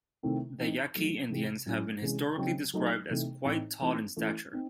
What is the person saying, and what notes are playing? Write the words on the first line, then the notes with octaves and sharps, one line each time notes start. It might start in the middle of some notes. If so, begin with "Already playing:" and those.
The Yaqui Indians have been historically described as quite tall in stature.
C3 D#3 A3 C4 E4
E3 C4 D#4
D#3 F#3 A3
C3 E3 G#3 C4
A2 F#3 C#4 E4
C3 E3 G#3 C#4
C#3 F#3 C4 D#4
F#3 A3 D#4
C3 E3 A3 D#4
A2 E3 C4 D#4
E3 A3 C4 D#4
E3 A3 C#4 E4
C4 D#4